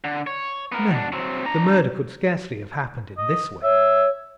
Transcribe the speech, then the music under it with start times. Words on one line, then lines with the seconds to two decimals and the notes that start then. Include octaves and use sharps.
No! the murder could scarcely have happened in this way.
0.04 D3
0.27 C#5
0.72 B3 A#4
0.90 B2 D4
1.13 F#3 C4
1.45 D4 A#5
3.18 D#5
3.63 C#5 E5